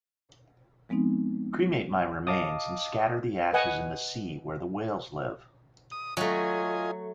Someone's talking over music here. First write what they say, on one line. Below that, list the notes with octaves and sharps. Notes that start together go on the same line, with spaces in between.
Cremate my remains and scatter the ashes in the sea where the whales live.
F3 G#3 B3 C4 D#4
D#5 F5 A5 D6 D#6
B4 D#5 F#5 G#5
D#6
F#3 A3 F4 D#5 G#5